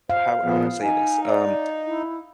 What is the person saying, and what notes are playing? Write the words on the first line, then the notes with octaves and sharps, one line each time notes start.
how how would I say this, um
C5 F5
A#2 F3 B3 G#4
D#4 G#5
D5
E4